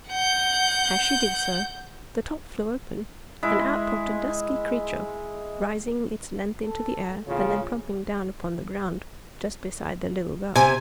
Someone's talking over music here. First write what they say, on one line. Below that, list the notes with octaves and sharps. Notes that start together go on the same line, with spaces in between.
As she did so the top flew open and out popped a dusky creature, rising its length into the air and then plumping down upon the ground just beside the little girl.
F#5 G6
G#3 E4
A4
E2 A2 C#3 F4
C3 G#5